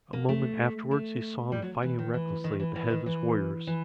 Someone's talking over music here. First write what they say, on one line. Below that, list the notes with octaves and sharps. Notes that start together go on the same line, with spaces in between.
A moment afterward he saw him fighting recklessly at the head of his warriors.
A#3
A3
A3
G3
F#3
E3
D#3
E3
D#3
E3
E3
D#3
E3
E3